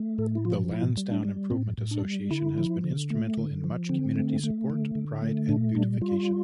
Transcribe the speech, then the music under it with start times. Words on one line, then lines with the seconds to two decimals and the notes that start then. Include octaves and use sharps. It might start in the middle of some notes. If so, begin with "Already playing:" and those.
The Lansdowne Improvement Association has been instrumental in much community support, pride and beautification.
Already playing: A3
0.18 A2 A4
0.35 E4
0.45 F3 F4
0.71 A2 E4
0.97 G3
1.11 D4
1.25 G3
1.50 A2 C4
1.78 A2
1.91 D4
2.05 G3
2.31 D3 E4
2.58 F3
2.84 D3
3.10 A3
3.37 D3
3.64 F3
3.89 D3 C4
4.16 A3
4.43 A3
4.70 D3
4.95 D3
5.22 A3
5.49 A#2 D4
5.75 G3 D4
6.01 G3 F4